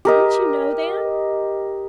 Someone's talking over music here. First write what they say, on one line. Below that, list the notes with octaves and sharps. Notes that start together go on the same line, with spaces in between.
Don't you know them?'
G4 A#4 D#5